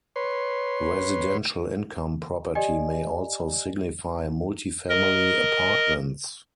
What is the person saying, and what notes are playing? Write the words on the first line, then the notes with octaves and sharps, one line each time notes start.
Residential income property may also signify multifamily apartments.
B4 C#5 C6
G4 D5 D#5 G#5
A#4 D#5